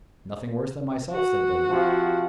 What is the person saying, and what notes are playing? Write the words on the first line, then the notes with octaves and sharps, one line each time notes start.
"Nothing worse than myself," said Billy.
F#4
C3 F3